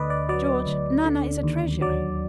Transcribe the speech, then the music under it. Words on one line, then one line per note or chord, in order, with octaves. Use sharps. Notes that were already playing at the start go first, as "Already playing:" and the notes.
"George, Nana is a treasure."
Already playing: D2 D3 B4 D5 D#5
D5
F#3 D5
D2
D3
D#2
F#3 D5